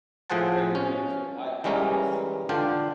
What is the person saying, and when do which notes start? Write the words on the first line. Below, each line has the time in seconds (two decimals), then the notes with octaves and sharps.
credit unions and the White House, and
0.30 A2 F3 G#4 C5 F#5 A5
0.75 C#4
1.64 E3 G3 G#3 C#4 A#4
2.49 D3 D4 F4 G5